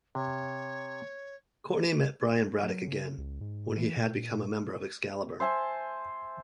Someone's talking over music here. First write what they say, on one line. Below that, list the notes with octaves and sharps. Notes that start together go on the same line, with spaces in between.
Courtney met Brian Braddock again, when he had become a member of "Excalibur".
C3 C#5
F#3
C#3
C#2
G#2
E3
A#2
C5 E5 G#5 A5